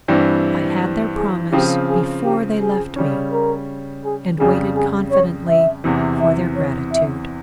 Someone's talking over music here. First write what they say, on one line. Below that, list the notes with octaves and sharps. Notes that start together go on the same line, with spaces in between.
I had their promise before they left me, and waited confidently for their gratitude.
G2 E3 G3 C4
G#4
C#3 F3 C4 G4
G#4
G4
G#4
C#3 G3 C#4
A#4
G#4
F2 C#3 G3 G#4
G#4
C#5
E5
E2 C3 E3
E5
C#5
E5